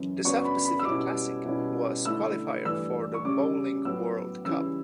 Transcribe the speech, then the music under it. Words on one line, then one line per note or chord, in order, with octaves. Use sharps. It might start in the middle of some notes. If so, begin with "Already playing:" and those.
The South Pacific Classic was qualifier for the Bowling World Cup.
Already playing: F#2 C#3 E3
F#2 C#3 F#3 B3 D4 C#6
B5
B5
E6
B2 G3 C#4 E4 D6
B2 G3 C#4 E4
D3 A3 E4 E6
G2 E3 A3 D4 E6
C#6
C#3 G3 C#4 D6
A2 F#3 B3 E6
C#3 E3 G3 C#4 E4 E6